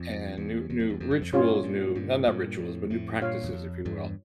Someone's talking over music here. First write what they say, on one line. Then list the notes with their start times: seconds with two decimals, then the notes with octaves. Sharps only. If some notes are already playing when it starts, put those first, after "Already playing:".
and new new rituals, new no, not rituals, but new practices, if you will,
Already playing: F2
0.37 E2
0.70 E2
0.80 F2
0.90 E2
1.00 F2
1.11 G2
1.22 F2
1.33 G2 A#2 C#4 F4 C#5
1.64 G2 A#2
1.95 G2 A#2
2.28 G2 A#2
2.58 F2 A2
2.90 F2 A2
3.21 G2 A#2 F4 C#5 F5
3.44 E2
3.53 F2
3.85 E2 G2